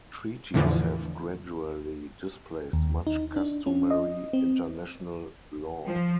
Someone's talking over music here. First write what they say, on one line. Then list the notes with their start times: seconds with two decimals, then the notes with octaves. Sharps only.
Treaties have gradually displaced much customary international law.
0.54 E2 A2 D3 E3 F3
2.73 D#2
3.07 D#4
3.36 D4
3.66 C#4
3.91 D#5
4.33 C4
5.86 F3